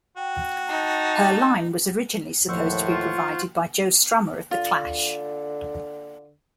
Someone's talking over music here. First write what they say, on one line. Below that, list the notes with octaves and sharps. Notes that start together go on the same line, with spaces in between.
Her line was originally supposed to be provided by Joe Strummer of The Clash.
F#4 G5
D#4 A5
D#2 A2 F3 C5 F#5 C#6
F4
D3 F4